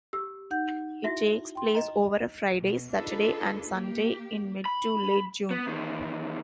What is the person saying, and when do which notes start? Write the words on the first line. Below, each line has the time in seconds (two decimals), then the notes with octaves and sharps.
It takes place over a Friday, Saturday and Sunday in mid to late June.
0.13 G4 E6
0.51 D#4 F#5 G6
1.04 E4 F#4 E5
1.55 G5 C6
1.75 D#5 A#5
2.60 B2
2.95 D4 D#4 F4 G#4 A4 B4
3.71 A#3 G4
4.66 B5
5.51 B3
5.67 E2 D#3